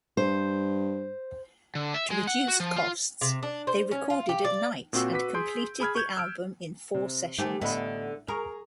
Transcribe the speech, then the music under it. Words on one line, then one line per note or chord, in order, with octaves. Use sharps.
To reduce costs, they recorded at night and completed the album in four sessions.
G2 C5
D3
E5
G#3
F#5
F#4
F3
F4
C3
D4
C5
C#4
F4
G4
D5
A#2 C4 F#4 E6
F#4 B4 D6 B6
G#4 C6 G6 D7
G#4 B5 F6 G#6
C#6 G6 G#6
E6 F6 D7
C3
D#3 A3 G4 C5 G#5
A1 D3 B3 D#5 B5
G#4 A#4 A#5 C#6